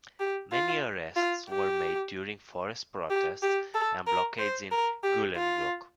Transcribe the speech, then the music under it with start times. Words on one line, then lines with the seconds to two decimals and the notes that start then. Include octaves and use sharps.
Many arrests were made during forest protests and blockades in Goolengook.
0.20 G4
0.52 F4
1.17 F4
1.49 G4
3.10 G4
3.42 G4
3.75 A4
4.07 A#4
4.39 C5
4.72 A#4
5.03 G4
5.36 F4